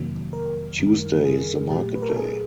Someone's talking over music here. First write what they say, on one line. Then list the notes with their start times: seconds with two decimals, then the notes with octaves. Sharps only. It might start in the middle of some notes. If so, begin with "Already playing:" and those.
Tuesday is the market day.
Already playing: F2 C3 D#3 F#3 A#3
0.33 A#4
0.79 F#2 D#3 G3
1.25 G#4
1.70 A#2 F#3 A3 G4
1.95 B4
2.02 A#4
2.09 A4
2.16 G#4